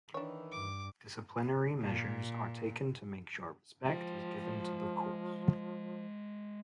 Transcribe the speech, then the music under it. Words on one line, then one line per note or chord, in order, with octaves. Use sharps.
Disciplinary measure are taken to make sure respect is given to the course.
D#3 E3 D4 C#5
G2 D6
A#2
F3 G#3 G5